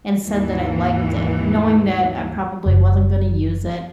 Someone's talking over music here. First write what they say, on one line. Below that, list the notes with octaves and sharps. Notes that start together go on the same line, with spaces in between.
and said that I liked it, knowing that I probably wasn't gonna use it,
G#1 D#2 E3
F#1